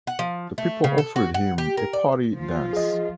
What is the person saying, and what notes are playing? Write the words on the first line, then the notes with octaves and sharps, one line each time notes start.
The people offered him a party dance.
F#5
F3
A3
C#3
A4
F#4
F#5
G4
A#4
D5
F3 F4
G#4 D#5